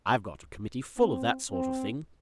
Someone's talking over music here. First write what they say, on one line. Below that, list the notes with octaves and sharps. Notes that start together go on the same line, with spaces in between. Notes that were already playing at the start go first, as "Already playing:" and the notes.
I've got a Committee full of that sort of thing.
C4
C4